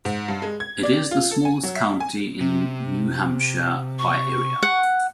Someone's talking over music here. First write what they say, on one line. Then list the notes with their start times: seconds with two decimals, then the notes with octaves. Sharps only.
It is the smallest county in New Hampshire by area.
0.05 G#2
0.28 G2
0.42 G#3
0.60 G#6
0.83 D5
1.11 F4
1.31 A4
1.45 G#5
1.63 F#3
1.76 E5
2.00 G#5
2.41 C3
3.99 C#6
4.63 F#5